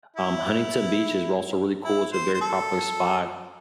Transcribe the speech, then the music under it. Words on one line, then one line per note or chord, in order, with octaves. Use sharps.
um, Huntington Beach is also really cool, it's a very popular spot,
E4
E4
C5
C5
A4